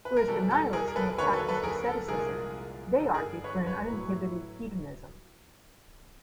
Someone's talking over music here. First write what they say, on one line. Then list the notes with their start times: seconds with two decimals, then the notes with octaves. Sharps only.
Whereas the nihilist may have practiced asceticism, they argued for an uninhibited hedonism.
0.05 B4
0.17 A#4
0.28 E2 B2 G3 A4
0.51 A4
0.73 G#4 A#4
0.88 A#4
0.96 A4 B4
1.18 D#2 D3 F#3 A#3 B4 C#5
1.33 A4 B4
1.48 A4 B4
1.63 G#4 A#4
1.86 A4
2.08 C2 A#2 F3 G#3 G#4 A#4
2.99 G2 D3 G3 A4
3.14 G#4 A#4
3.44 B4 C#5
3.66 B4 C#5
3.90 A2 F#3 B3 E4